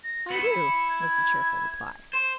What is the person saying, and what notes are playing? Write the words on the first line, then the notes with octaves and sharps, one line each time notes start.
"I do," was the cheerful reply.
A#6
B3 D#4 C#7
E4
G#6
C5